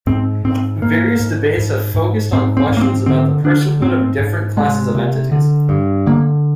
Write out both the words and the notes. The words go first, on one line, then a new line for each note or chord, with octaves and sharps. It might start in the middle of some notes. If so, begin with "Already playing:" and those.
Various debates have focused on questions about the personhood of different classes of entities.
G#2 C4
G#2 C4
G#2 A#3
G#2
G#2
G#2
G#2 C4
C4
G#2
A#3
C4
D3 C4
D3 D4
G#2 C4
G#2
C3 G#3
C3
D3
G2
D3 A#3